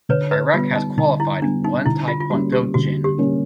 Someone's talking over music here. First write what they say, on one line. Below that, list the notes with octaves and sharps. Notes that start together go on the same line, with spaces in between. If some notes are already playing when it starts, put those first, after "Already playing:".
Iraq has qualified one taekwondo jin.
D3 B4 C#5
B4
G3 B3 F4
D#4
D3 D#4
E4
G3 B3 D4
D#4
D3 E4
F4
F4
G3 A#3 C#4 F#4
G4
D3 F#4
G4
G3 A#3 C#4